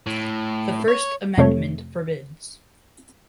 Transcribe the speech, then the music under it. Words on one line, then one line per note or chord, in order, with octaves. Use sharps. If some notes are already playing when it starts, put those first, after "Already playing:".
The First Amendment forbids.
A2
C#5
F2 C3 A3 C#5